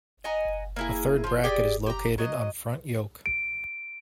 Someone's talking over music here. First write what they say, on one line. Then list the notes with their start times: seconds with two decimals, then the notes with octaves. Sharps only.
A third bracket is located on front yoke.
0.24 D#5 F#5 G#5 A#5
0.76 A#3 E4 G#4
1.24 F3 F4
1.44 G4 G#4 D5
1.86 G4 A#5
2.18 F#3 D#5
3.26 D7